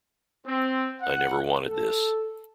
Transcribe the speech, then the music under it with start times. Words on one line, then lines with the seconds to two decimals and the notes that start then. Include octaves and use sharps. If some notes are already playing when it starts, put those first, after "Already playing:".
'I never wanted this'.
0.45 C4
1.01 F#5
1.64 A4